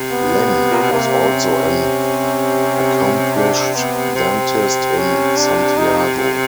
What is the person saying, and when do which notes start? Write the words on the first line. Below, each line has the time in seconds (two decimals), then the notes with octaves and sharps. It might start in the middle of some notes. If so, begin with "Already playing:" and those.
Leng was also an accomplished dentist in Santiago.
Already playing: C3
0.12 B3
0.71 A#2
0.82 B2
0.92 C3 A#3
1.33 C#4
3.36 D4
3.75 B3
4.16 C3 C4
4.98 C#4
5.37 D4
5.78 D#4